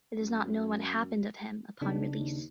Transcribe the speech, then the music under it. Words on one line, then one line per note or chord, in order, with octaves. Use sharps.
It is not known what happened of him upon release.
F#2
B1 C#3 D4
D#2